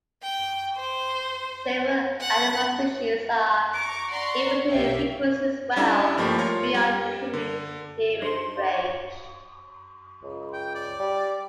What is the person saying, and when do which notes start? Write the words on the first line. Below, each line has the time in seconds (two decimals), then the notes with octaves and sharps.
Several animal species are able to hear frequencies well beyond the human hearing range.
0.23 G5
0.76 C5
2.21 F#5
3.73 A#5 C#6 D6
4.11 D5 F#5 A#5 C6 C#6
4.71 B1 G4 E5 F5 G5
5.76 G3 C#4 D4 E4 A4
6.17 G2 F3 A3 A#3 G4
6.38 F4 A#4 C#5
6.74 G3
7.33 D3
8.22 D4 D#4 C5 C6
8.57 F5 D6
8.74 C#5
10.23 C#2
10.53 G5
10.75 D5
11.00 G3